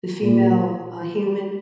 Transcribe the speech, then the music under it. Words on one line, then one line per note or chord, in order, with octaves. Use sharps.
the female, uh, human.
A#2